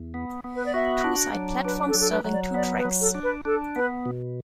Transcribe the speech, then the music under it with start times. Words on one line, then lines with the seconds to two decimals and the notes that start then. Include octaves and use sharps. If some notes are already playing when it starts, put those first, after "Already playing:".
Two side platforms serving two tracks.
Already playing: E2
0.14 B3
0.44 B3
0.55 B4
0.65 D5
0.74 F#4 E5
1.04 D4
1.35 F#3
1.64 D4 B4
1.88 A4
1.94 F#3
2.00 A4
2.10 B4
2.25 F#3
2.32 D5
2.54 B3 D5
2.77 B4
2.85 F#3
3.00 A4
3.15 D4
3.23 B4
3.45 D4 A4
3.76 B3 B4
4.05 B2